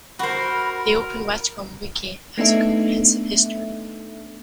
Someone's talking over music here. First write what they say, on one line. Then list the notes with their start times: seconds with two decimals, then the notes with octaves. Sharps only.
The "Open Watcom Wiki" has a comprehensive history.
0.19 F#4 A#4 C5 B5
2.38 A3 B3 D4 D#4 A4 E5